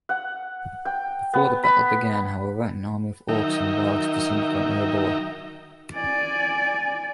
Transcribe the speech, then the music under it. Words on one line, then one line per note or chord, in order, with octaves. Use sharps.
Before the battle began, however, an army of orcs and wargs descended on Erebor.
F#5
G5
B3
B5
D#3 F#3 D#4 A#4 E5 G5
D5 G#5